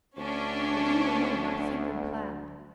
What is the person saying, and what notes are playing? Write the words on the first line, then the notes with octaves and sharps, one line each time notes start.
For you alone, I think and plan.
D2 C#4 D4